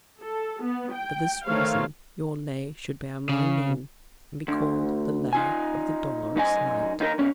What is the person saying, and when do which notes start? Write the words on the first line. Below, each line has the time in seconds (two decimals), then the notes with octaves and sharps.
For this reason your Lay should bear my name, and be called the Lay of the Dolorous Knight.
0.22 A4
0.63 B3
0.93 G5
1.47 D#3 A3 C5 C#5 F5
3.29 C#3
4.48 D2
5.33 D#4 F4 G#5
6.36 F#2 D#4 D#5 G#5
7.00 D#2 D#4 G4 A#4
7.19 B2 C#4